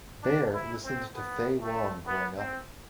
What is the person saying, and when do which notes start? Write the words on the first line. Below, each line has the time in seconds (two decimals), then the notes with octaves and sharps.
Bear listened to Faye Wong growing up.
0.23 D4
0.52 E4
0.84 C4
1.14 B3
1.61 A3
2.06 B3
2.37 C4